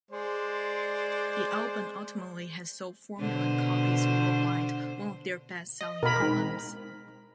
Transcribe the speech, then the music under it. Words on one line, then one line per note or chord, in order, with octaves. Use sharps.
The album ultimately has sold four million copies worldwide, one of their best-selling albums.
G#3 C5 D5
B2 D3 C5
D#5
B2 A#4 B5
G#3 C4 D#4